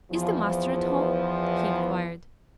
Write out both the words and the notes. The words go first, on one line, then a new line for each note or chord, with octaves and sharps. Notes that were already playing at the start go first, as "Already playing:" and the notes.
"Is the master at home?" he inquired.
E2 F3